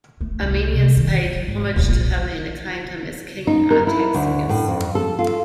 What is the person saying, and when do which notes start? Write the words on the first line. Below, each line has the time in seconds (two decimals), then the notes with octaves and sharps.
Armenians paid homage to him and acclaimed him as King Artaxias.
0.21 A3
0.42 C2
0.73 C3
0.97 D#3
1.25 F3
1.47 G#1
1.76 D1
1.88 A#1
3.47 D#4
3.71 A#4
3.87 E4
4.14 D2
4.49 A2
4.68 F2
4.95 A4
5.19 F4